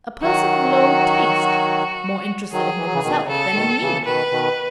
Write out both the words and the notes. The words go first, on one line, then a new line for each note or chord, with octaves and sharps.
A person of low taste, more interested in himself than in me.
D#3 F#3 F#4
D#3 F#3 G#4
E3
F#3
C#3 E3
B2 D#3
C#3 A4
B2 D#3
C#3 E3
B2 D#3 B4
B2 D#3